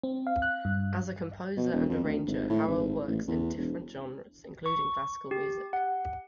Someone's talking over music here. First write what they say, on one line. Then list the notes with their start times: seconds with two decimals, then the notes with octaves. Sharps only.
As a composer and arranger, Harrell works in different genres, including classical music.
0.03 C4
0.27 F5
0.42 F#6
0.65 G2
1.57 B2
1.73 E1
1.89 F2
2.04 D2
2.27 G#1
2.50 A2
2.68 G#1
3.07 A1
3.28 E2
3.58 E1
4.66 C#6
5.31 G4
5.73 F#5